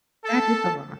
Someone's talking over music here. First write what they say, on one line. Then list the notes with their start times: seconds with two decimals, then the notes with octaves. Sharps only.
That is a lot.
0.25 A4 A5